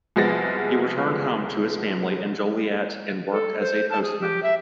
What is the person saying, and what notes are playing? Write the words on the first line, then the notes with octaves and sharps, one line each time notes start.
He returned home to his family in Joliet and worked as a postman.
C2 F3 G#3 B3 A6 A#6
A4
C5
A5
G#4
G4
E5